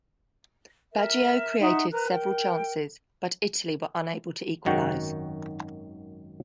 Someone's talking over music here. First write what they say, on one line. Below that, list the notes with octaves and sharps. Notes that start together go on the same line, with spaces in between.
Baggio created several chances, but Italy were unable to equalise.
A#4 E5
D#4 E5 F#5 C6
A#4 B4 A#5 F#6
G5
G#1 F#2 D#3 F#4 F#5 G5